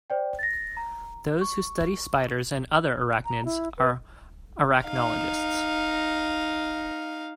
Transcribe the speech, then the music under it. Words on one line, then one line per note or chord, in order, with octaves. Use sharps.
Those who study spiders and other arachnids are arachnologists.
C5 D5 G5
A6 A#6
A#5
C#6
A#5
E4
B4
D#4 F5